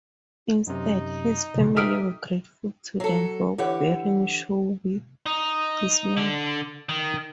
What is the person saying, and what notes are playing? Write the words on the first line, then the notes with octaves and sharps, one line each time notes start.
Instead, his family were grateful to them for burying Shaw with his men.
F#2 C3 D#4
D#4 G4 A4 E5 D#6 F6 D7
F#3 A4
D3 E3 G4 C#5 F#5
D#4
D3
D#3